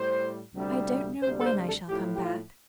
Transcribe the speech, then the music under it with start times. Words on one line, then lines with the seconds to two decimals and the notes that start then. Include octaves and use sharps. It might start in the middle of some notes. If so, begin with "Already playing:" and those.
"I don't know when I shall come back."
Already playing: A2 G3 C5
0.55 D2 C3 G3
1.21 D2 C3 G3 C5
1.39 A4
1.44 C5
1.66 A4
1.88 A2 F3 G4
2.14 G4
2.22 F4